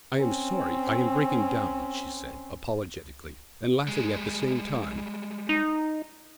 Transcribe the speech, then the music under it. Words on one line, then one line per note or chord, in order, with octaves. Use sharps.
"I am sorry I am breaking down," she said apologetically, and laughing at the same time.
C4 C#4
G3 G#3
D#4